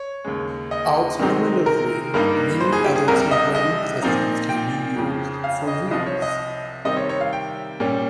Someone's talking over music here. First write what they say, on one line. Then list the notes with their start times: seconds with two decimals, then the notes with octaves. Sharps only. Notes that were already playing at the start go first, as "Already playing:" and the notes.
Alternatively, many other templating systems can be used for views.
Already playing: C#5
0.24 D#2 C#3 G#3
0.71 D#5
1.19 C3 D#3 G#3 C4 D#4
1.66 A#4
2.14 G2 G3 A#3 D#4
2.60 C5
2.73 G#4
2.85 G4
2.96 G#4
3.08 C2 C3 G3 A#4
3.31 D#5
3.55 D#5
4.02 A#2 F3 C4 D#4
4.49 G5
4.96 F2 C#3 F3
5.44 F5
5.68 D#5
5.91 C2 C3 F3 D#5
6.06 C#5
6.22 D#5
6.85 C3 D#3 G3 C4 D#5
6.97 C#5
7.09 C#5
7.21 F5
7.33 G5
7.80 A#2 G3 C#4